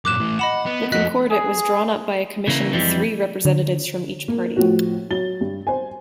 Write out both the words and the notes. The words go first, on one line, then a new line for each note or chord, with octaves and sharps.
The Concordat was drawn up by a commission with three representatives from each party.
F#2 A#2 D6 F#6 E7
A2 E3
D#5 F#5 B5 E7
B3
F2 F#4 D#5 F#6 B6
G#4
C#3 E3 A#3
F2 E3 G3 G#3
D3
A#3
A2 F3 F#4
F#3 A6 G7
G2
C5 G#5